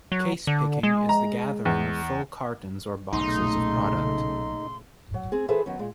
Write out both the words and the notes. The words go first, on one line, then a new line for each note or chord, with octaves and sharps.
Case picking is the gathering of full cartons or boxes of product.
F#3
D3
G#3
A#5
E2
B1 A#2 C#3 A3 D#4 C6
F#3
C4 G#4
E3 G#4 A4 B4 C5 E5
D#3 F#3 B3 C#4
A#2 G#3